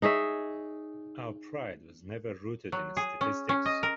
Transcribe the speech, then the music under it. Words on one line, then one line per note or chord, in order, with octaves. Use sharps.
Our pride was never rooted in statistics.
D#4 G#4 C#5 E5
F#3
G#4
C#4
C#4
D#5
A#4